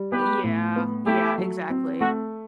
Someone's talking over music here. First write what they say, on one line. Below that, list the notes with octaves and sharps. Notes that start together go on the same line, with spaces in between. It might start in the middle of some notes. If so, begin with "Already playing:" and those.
Yeah, yeah, exactly.
Already playing: G3
B3 G4 B4
A2
B3
A3 E4 G4
F#3
C4
A3 F#4